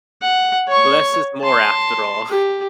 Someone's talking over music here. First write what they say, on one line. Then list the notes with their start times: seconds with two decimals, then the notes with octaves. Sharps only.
Less is more after all.
0.22 F#5
0.67 C#5 C#6
1.42 A5 C6
2.30 G4